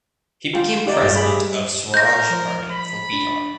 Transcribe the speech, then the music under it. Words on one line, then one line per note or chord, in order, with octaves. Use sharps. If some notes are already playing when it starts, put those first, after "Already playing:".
He became President of Swaraj Party for Bihar.
F4 G5
D#4 G4 D5
G2 G5
G#4 B5
A#4 G6 A#6
F3 C5
B5
D4